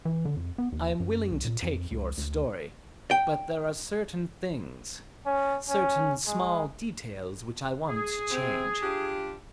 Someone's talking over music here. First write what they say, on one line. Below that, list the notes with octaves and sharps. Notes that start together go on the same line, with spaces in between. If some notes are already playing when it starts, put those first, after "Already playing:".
"I am willing to take your story, but there are certain things, certain small details which I want to change."
E3
D3
F2
B3
D#2
F#2
C2
A#2
F2
C#2
D2
G5
C#4
C#4
G#3
G#4
C3 C4
D4 F4 G4